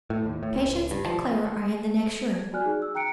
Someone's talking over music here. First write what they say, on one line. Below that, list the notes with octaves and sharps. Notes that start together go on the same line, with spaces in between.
Patience and Clara are in the next room.
A2
D#2
A2
C#2
G2
F3
G#6
F#4 D5 G#5 F6 F#6
D#4 G#4
E6
G5 A#5 F#6 C#7 D7